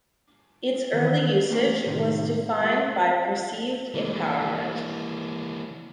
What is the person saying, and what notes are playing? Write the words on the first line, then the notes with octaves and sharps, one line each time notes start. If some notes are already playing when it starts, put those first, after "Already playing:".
Its early usage was defined by perceived empowerment.
D#3 E3
A3 A#3 G4 A#4
A2 C3 D#3
G#3 A3 F#4
E3 A#3